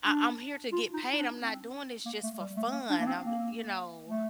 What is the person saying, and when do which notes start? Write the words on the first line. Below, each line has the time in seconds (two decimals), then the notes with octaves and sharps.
I I'm here to get paid. I'm not doing this just for fun. I you know?
0.05 D4
0.72 F4
0.93 D#4
1.13 D#4
1.16 D4
1.39 C4
2.06 A#3
2.23 A3
2.40 G3
2.57 A3
2.73 A#3
2.90 D4
3.00 A#3
3.07 C4
3.24 A#3
4.08 A3